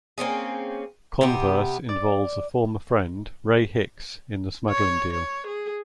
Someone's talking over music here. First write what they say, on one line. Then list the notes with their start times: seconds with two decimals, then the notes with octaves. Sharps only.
Converse involves a former friend, Ray Hicks, in the smuggling deal.
0.18 A#3 C4 C#4 G#4
1.21 C3 B3 G4
1.89 D5
4.70 C#5
5.12 C#5
5.47 G#4